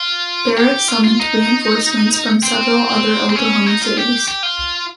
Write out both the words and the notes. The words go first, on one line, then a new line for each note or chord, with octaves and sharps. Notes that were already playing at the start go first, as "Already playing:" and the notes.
Barrett summoned reinforcements from several other Oklahoma cities.
Already playing: F4
G4
F4
F4
D#4
C4
C4
C#4
D#4
F4
G4
G4
F4